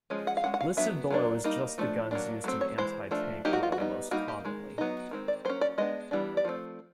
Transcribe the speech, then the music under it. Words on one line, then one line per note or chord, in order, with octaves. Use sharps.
Listed below is just the guns used in anti-tank role most commonly.
F3 G#3 C#4
F#5
F5
G#3 C#4 F#5
F#5
F5
F#3 B3 D4 E5
F#3 A#3 D4
G3 A#3 D#4
F3 A3 D4
F#3 A#3 D4
F#3 A3 C4
C#5
E3 G#3 C5
F3 A3 D4
F#3 A#3 D#4 G4
F#4
F4
F#4
G3 B3 D#4
G3 A#3 D#4 F#4
G4
D#3 G#3
F#3 B3 D#4
D#3 G#3 C4
D5
F#3 A#3 C#4 C5
D5
G#3 B3 D4 D#5
E3 G3 B3 D4
D5
F3 A3 C4